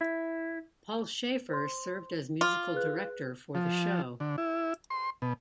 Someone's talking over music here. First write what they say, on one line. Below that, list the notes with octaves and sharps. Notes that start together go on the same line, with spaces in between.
Paul Shaffer served as musical director for the show.
E4
C5 C6
F4 D6 F6
G#4 B4 F#6
F3
D3
E4
C6
B2